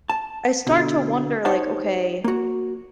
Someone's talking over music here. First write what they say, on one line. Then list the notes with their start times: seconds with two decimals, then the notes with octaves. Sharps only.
I start to wonder like, “Okay“
0.10 A5
0.67 B2 D3
1.45 D#4 G4 C5 C#5 F#5 A5
2.24 A#3 F#4